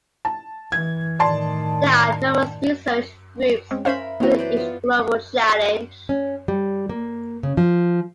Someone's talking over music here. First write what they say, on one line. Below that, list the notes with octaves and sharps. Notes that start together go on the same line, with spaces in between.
There are numerous research groups within each Global Challenge.
A5
E3 G#6
A2 D#3 D5 A5 C6
G#3 C4 C#4
C#4 A#4 C5 E5 F5 B5
E3 F#3 A#3 C4 F#4
B4 C5 D5
B3 F4
C#4
G3
A#3
C#3
F3